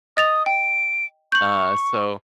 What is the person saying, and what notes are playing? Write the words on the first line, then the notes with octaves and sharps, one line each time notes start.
Uh, so
D#5 D#6 A6 F7
G5 D7
C#6 G6 F#7